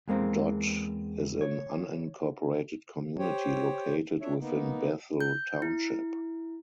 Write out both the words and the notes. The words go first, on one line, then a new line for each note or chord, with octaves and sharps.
Dott is an unincorporated community located within Bethel Township.
E2 G#3 A#3 C4
C#5
G4 C5 C#5 G5
D4 C#5 E5
A#3 B3 D#4
G6
E4